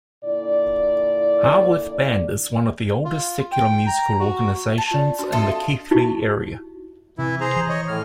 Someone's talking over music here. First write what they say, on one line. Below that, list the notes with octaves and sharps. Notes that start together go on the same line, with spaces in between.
Haworth Band is one of the oldest secular musical organisations in the Keighley area.
A#2 D3 E4 D5
F4
G5
A#5
F#4
A5
F4 D5
D4 F#4 C6
C4 A4 D#5 E5 C6
F5
D#4 E4 F#4 G4
C3 E3 E4
G#4 C5 A#5
E3
C#5 D#5
A2 F6